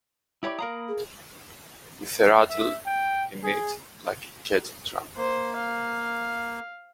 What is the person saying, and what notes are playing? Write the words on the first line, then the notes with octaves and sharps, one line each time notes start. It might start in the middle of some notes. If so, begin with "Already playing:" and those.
With a rattle in it like a kettle-drum.
E4 G4 C#5 D5 B5
A#3 A#4 F5 A#5 B5 D#6
G#4
E5
G5
G#4
A#3 C5
F5